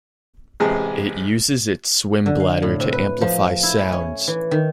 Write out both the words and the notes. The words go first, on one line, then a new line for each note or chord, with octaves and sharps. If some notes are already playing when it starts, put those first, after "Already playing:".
It uses its swim bladder to amplify sounds.
A1 C3 G#3 G#4 A5
D3
F5
A2
C3
B4
F3
E4
B5
C#4
E3
D#3